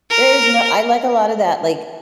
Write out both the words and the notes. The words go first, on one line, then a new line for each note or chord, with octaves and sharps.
there is no I like a lot of that, like,
A#4